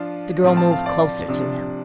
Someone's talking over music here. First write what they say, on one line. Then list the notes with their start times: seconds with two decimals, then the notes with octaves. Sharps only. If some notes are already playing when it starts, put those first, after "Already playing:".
The girl moved closer to him.
Already playing: F3 D4 F4
0.43 A2 F3 C4 F4
0.57 A5
0.71 F5
0.86 D5
1.28 C3 F3 D4